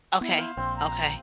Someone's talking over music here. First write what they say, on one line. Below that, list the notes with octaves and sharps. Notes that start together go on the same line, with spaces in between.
Okay. Okay.
B3 E4
C5 F5
A#1 C4 C6
A#5